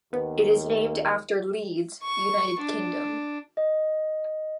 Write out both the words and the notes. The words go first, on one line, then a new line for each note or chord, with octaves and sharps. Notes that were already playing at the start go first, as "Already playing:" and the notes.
It is named after Leeds, United Kingdom.
D#2 B3
C#6
D4
D#5